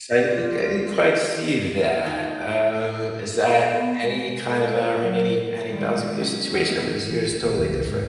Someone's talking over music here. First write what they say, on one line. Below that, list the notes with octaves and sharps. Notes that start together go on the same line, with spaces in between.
I didn't I didn't quite see that. Um, is that any kind of a ring any any bells with this situation, or was yours totally different?
F4 G4 D5
A#4
A3 D#4 F4 C5
A4
B3
G#3
A4
C5
F#3
A#4
D#3 G3 G#3
F#3 C#4
E2 D#4 F#4
E3
A1
A#2
D#2
C2
G#2